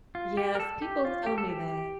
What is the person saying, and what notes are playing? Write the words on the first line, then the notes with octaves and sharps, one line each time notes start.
Yes, people tell me that.
F4
G4
A#4
A4
G4
F4
G4
A4
G4